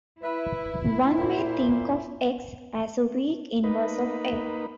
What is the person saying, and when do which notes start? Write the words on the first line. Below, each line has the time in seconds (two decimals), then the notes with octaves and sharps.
One may think of "x" as a "weak inverse" of "a".
0.22 E4 B4 E5
1.15 A#2 C5
3.64 A#3 D#4 B4